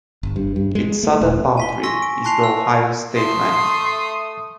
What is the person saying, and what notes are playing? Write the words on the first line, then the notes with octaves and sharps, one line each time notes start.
Its southern boundary is the Ohio state line.
G1
G2
G2
G#3
A3
D#1
G#5 B6 G7
G#5 C6 C#6 E6 A#6
D7
A5 C6 F#6 C7 F7
E6
A3 E5 C6 D#6